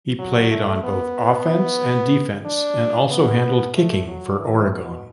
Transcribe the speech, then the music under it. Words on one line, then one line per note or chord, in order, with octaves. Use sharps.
He played on both offense and defense and also handled kicking for Oregon.
F#3
A3
B3
D4
B3
A3
F#3
E3
B2